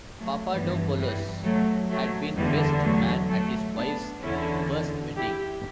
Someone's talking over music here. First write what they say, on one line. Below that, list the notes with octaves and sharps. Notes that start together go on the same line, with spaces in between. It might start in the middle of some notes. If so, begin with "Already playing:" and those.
Papadopoulos had been best man at his wife's first wedding.
F#3 A3
G2 E3 G3 B3
E3 G3
F#3 A3
F#3 A3
E2 D3 E3 G3
F#3 A3
F#3 A3
B3 D4
E2 D3 C#4 E4
E4 G4